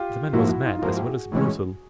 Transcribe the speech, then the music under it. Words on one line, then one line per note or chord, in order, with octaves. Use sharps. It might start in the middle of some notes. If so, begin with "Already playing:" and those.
"The man was mad as well as brutal."
Already playing: F4 G4
G#2 F3 A#3 E4 F#4
E4 F#4
D#4 F4
F4
G#2 F3 A#3 E4 F#4
G4
F#4 G#4
A2 E3 G#3 C#4